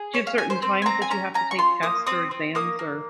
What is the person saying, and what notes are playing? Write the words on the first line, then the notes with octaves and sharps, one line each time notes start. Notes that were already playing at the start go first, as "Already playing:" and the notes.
do you have certain times that you have to take tests or exams or
Already playing: G#4
C#4 C#5
F5
C#4 G#5
C5
C4 C5
G#5
C4 A#5
G#5
C#4 A#5
C#4 A#5
C#6
F4 C6
A#3 D#6
C4 D#6
C4
A#3 D#6
A#3